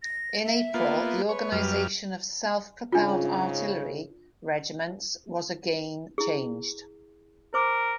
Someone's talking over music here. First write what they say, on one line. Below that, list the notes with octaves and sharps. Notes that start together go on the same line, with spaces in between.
In April, the organization of self-propelled artillery regiments was again changed.
A#6
E5
A#3 B3 F4
B4 C#5
F#2 G3 F6
G#2 C#3 D4 F4
E4 G#4
A#4 C5 D6